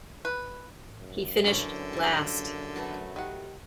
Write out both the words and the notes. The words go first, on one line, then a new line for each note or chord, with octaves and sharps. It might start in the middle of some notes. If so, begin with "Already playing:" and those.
He finished last.
B4
F#2
D3 E3 C#4
G3 A#3
F#3 A3 B4
D#3 G4 F#5